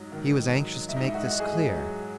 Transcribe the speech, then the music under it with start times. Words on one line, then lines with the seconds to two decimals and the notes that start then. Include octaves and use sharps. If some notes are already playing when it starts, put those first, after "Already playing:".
He was anxious to make this clear.
Already playing: G#2 F#3 D#4
0.12 D#3
0.50 F#3
0.89 G#2 E4
0.97 D#4
1.04 E4
1.14 F#4
1.27 G#2
1.40 G#4
1.65 F#3